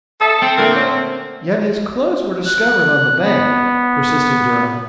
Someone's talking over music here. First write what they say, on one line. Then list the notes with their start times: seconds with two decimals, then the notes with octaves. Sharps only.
"Yet, his clothes were discovered on the bank," persisted Durham.
0.21 A4 E5 A5 D#6
0.42 C4
0.58 A#2 D3 A3 A#4
0.75 C#4
0.88 C4
2.45 F#6
3.24 B3